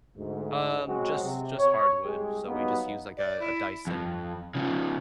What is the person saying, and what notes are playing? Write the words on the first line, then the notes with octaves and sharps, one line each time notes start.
Um, just just hardwood, so, we just use, like, a a Dyson,
D2 G#2
F#3 G#3 C4 F#4
C3
C#5
C2 G#3 G4 G#4
F#3 G3 A#3 B3 D#4
D5
E4
F2
C#3 F3